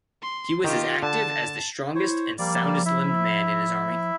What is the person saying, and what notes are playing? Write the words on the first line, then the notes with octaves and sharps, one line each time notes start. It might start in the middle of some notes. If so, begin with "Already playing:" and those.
He was as active as the strongest and soundest-limbed man in his army.
C6
D#3 F4 G4
D3 A5
E4 C5 C#5
F3 G3 A#3 D5
E4 E5